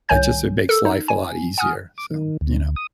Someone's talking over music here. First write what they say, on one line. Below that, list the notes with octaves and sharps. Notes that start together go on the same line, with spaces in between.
I just it makes life a lot easier, so, you know
C2 D#3 C#5 G#5 G6
A4 A#4 E6
D#4
G#5
F#5 G#5 D#6 F6
D6
D#3
D2
D#6